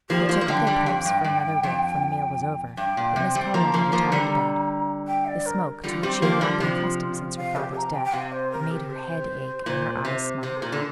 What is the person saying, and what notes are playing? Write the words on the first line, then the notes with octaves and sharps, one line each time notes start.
They took up their pipes for another whiff when the meal was over, but Miss Carlyle retired to bed; the smoke, to which she had not been accustomed since her father's death, had made her head ache and her eyes smart.
F3 A#3 G4
D5
F3 A#3 C5
A#3
D3 G3 G5
D3 G3
F2
G2
G2
F2
G2 G5
A#2
C3
G3 C4
F3 A#3 A#5
F3 A#3
F3 A#3
D3 G3
G5
D5
A#4
D3 G3 F4
G3 C4 G4
F3 A#3 G4
D3 G3 F4
C3 F3 F4
F5
G4
A#5
G5
G5
C3 F5
C5
A#4
G4
C5
A#2
C3
C3 C5
G4
A#2 A#4
D3